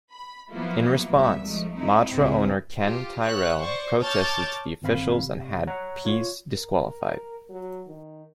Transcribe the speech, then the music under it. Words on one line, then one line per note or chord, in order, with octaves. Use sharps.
In response, Matra owner Ken Tyrrell protested to the officials and had Pease disqualified.
B5
F3 F#3 A#3 B3 E4 F4
C2 A#2 B3 E5
F3 G#3 A3 D#4
A3 C4 D#4 E4
C#2 A2 C3 C4 E4 G#4
F4 G4
C#5 E5 F#5 F#6
C5 D5 C#6
C#5 A5 D6 F6 G6 A6
G1 D#3 C4 F5 B5
C3
C#5 F#5 A#5
F4 C#5
A#4
F#3
D#3